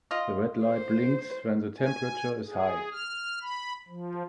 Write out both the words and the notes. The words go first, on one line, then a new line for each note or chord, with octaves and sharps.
The red light blinks when the temperature is high.
F4 D#5
C5
G#5
G#4
F6
B5
F3